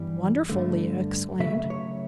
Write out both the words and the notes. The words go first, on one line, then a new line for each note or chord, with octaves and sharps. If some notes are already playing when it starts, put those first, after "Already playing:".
"Wonderful!" Lea exclaimed.
Already playing: G2 E3 G3 B3 D5
G2 D3 A3
C#3 F#3 A3 E5
C#5